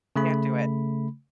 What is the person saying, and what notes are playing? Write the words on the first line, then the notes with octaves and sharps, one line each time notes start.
Can't do it.
C#3 A3 B5